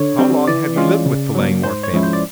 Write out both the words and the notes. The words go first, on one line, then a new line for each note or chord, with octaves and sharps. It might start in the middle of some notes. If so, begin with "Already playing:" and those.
"How long have you lived with the Langmore family?"
Already playing: D3 C#5
G3 C4
E3 D5
G#3 C#4 F4
C#3
F#3 A#3
G#2 C5
C#5
F3 G#3 C#4 E4
C5
D5